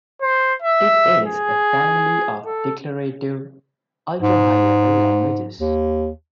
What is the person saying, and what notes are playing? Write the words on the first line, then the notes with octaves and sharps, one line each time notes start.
It is a family of declarative "ultra high-level" languages.
C5
E5
G#4
A4
G#2
D#2